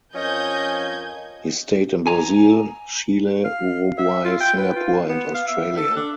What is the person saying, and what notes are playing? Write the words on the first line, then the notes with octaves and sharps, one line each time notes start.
He stayed in Brazil, Chile, Uruguay, Singapore and Australia.
F2 F3 C#4 A#4 D#5 G#5 G6 G#6
G#5 A#5
F5
E5
F4
G5
B4
F4
B3
F5
E5
A4
D4